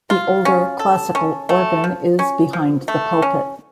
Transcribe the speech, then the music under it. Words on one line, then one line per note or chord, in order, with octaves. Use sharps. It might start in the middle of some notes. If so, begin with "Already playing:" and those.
The older, Classical organ is behind the pulpit.
F4
C#4
A4
C#4
A3
F3
C#4
F3
A3
C#4